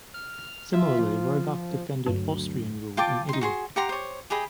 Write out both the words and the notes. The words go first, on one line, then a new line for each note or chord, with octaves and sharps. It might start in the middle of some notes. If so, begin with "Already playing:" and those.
Similarly Roebuck defended Austrian rule in Italy.
F6
F4 E5
F3
D2 G2 F#3
F4 G5 A5 D6
D#4 C6
F#4 G#4 C6
G4 F#5 A#5 C6
C5 C#5
G4 G#4 D#5 B5